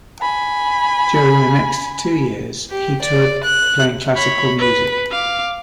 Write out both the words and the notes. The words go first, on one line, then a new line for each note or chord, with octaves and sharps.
During the next two years, he toured playing classical music.
G#5 B5
G4
D5
F#6
C#5 B5
B4
F5 D6